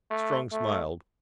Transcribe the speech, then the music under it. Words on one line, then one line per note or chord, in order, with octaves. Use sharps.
Strong smiled.
A3
A3